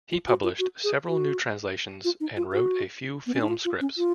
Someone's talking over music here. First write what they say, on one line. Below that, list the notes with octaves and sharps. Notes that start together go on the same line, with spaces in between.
He published several new translations and wrote a few film scripts.
F4
F#4
F4
F#4
G#4
F#4
F4
D#4
F4
F#4
B3
C#4
D#4
F4
F4
C#4
F4